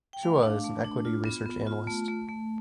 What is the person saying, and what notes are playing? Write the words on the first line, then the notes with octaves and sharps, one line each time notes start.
Chua is an equity research analyst.
G5
A3 F5
D4
A3
D4
F4
B3
B3
F4
A3
A3
A3